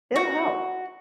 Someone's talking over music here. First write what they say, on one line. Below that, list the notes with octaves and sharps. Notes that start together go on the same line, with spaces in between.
It'll help.
F#4